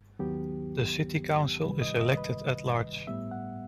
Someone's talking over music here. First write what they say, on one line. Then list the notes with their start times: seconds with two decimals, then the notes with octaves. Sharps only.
The city council is elected at-large.
0.19 D#2 D#3 F#3 B3 G4
1.64 C2 C3 D#3 G3 B4
1.81 D#5
2.00 D#5
2.17 B4
3.07 A2 G3 B3 E5
3.31 F#5